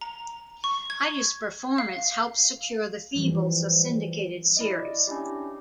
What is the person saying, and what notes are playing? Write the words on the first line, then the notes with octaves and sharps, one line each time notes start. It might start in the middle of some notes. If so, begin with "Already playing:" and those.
Heidi's performance helps secure the Feebles a syndicated series.
A#5
C#6
G#6
F5
E3 F3 G3 C#4
E4 D5 D#5
C#4 D4 E4 G4